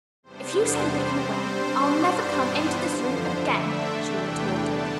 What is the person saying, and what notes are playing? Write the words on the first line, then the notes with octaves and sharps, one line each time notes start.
"If you send Dickon away, I'll never come into this room again!" she retorted.
E2 C3 G3 B3 D4 C5
C3 G3 C4
B2 G3 D4 C5
G2 E3 G3 B3 D4
F2 D3 F3 C5
D3 A3 D4 E5
E2 C3 E3 A3 D4 G5
D3 G3 B3 D4 A5